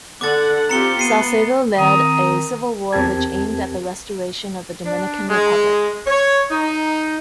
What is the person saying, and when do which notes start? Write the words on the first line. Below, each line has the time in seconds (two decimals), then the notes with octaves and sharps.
Salcedo led a civil war which aimed at the restoration of the Dominican Republic.
0.21 D3 F#5 D6 A6
0.69 C4 F4 G4 A#5 C#7 G7
0.99 B3 C7 D#7
1.78 D#3 C4 A#4 A#5 D#6
2.93 E2 C4 G4 A#4 A5 G#6
4.85 D4
5.29 G#3
6.07 C#5
6.51 D#4